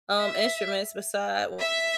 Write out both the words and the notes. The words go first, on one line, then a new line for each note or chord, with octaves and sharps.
um, instruments beside
E5
E5